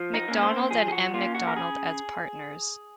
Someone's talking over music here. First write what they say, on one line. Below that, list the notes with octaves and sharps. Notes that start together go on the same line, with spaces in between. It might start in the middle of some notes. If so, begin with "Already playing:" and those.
McDonald and M. McDonald as partners.
Already playing: F3
D#4
A#3 C#4
C5
F3 G#4
G#4
F#4
A#3 C#4 F4
F#4
A#4
C#3 G#4